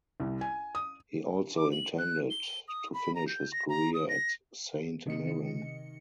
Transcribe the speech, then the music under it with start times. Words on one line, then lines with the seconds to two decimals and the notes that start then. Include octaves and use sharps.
He also intended to finish his career at Saint Mirren.
0.20 C2
0.41 G#5
0.75 D#6
1.57 D6
1.72 F#7
1.98 F#6
2.30 G7
2.68 D#6
2.94 B5
3.15 A#5
3.28 G6
3.52 A#6
3.69 A#5
3.94 D#6
4.09 A#6
5.06 C3 D#3 D#5 C#7